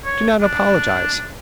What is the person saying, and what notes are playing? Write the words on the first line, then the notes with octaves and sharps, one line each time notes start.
Do not apologize.
C#5
D4